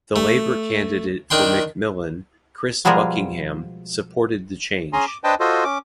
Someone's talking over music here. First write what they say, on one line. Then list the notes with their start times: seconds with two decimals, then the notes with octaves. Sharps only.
The Labor candidate for McMillan, Chris Buckingham, supported the change.
0.16 A3
1.30 D#3 D4 G5 C6
2.85 B2 F3 G3 G#3 G#4 A#4
4.93 C#4 G#4 G#5 A#5 C6
5.08 D6
5.24 D4 B4 C5 D#5 G5 A5
5.40 F4 F#4 A4 C5 D#5
5.64 C#4 D6